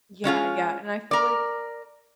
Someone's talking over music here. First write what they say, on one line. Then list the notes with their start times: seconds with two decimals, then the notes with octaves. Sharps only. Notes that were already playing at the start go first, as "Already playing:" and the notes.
Yeah, yeah, and I feel like
0.24 G#3 C#4 F4 G#4
1.11 A#4 D5